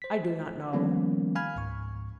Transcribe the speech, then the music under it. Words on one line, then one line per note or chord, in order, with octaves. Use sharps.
I do not know.
C5 B6
D#3 F3 G3 A#3 B3 C#4
F5 G#5 B5 F6 G#6
C#2 G#2 C#6